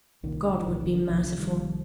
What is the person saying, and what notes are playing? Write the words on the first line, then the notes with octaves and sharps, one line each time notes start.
God would be merciful.
C2 A#2 D#3
D3
F3
C2 A#2 D#3
D#3
D3
C2 A#2 D#3
D3 F3
D#3 G3
C2 A#2